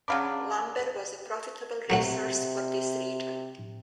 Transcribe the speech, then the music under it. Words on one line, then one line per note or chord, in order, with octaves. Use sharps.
Lumber was a profitable resource for this region.
C#3 F#3 D4 F5 B5 D6
C3 F#3 A3 F#5